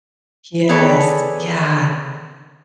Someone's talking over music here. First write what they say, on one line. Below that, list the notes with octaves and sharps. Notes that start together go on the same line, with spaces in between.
Yes, yeah.
B3 G#4 A4 C#5 D5